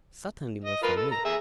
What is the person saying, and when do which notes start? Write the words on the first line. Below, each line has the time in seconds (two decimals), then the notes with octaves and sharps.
Certainly not from me.
0.64 D#5
0.83 F4 A#4 B4
0.96 A4
1.12 A#5
1.25 G#4 E5